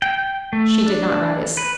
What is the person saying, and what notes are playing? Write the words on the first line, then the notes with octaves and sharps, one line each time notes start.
She did not rise.
G5
A3
D4
B4